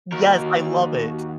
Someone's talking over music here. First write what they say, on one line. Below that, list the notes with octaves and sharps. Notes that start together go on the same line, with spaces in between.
Yes, I love it.
D#2 F#4 A#4